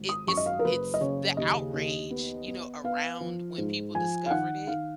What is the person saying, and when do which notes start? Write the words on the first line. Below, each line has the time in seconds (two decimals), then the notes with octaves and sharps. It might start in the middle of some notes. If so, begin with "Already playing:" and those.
it it's it's the outrage, you know, around when people discovered it
Already playing: G#1
0.09 D#6
0.27 F#2 C#6
0.37 D#5
0.46 F5
0.59 A#4
0.65 F#1 B4
0.94 D#5
1.01 C#3 C#5
1.37 D#2 D#5
1.74 D#2
2.10 B3
2.48 B3
2.84 B3 F5
3.21 F3
3.58 G#2
3.94 F3 G#5
4.26 F5
4.30 D#3 F#5
4.67 D#3 F5